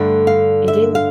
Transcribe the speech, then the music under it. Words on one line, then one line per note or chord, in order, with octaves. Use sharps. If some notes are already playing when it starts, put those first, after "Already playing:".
It is.
Already playing: G2 D3 A3
F5
E5
F5